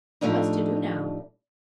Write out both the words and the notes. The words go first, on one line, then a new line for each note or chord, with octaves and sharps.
"What's to do now?"
A2 F3 G3 A3 D4 D#4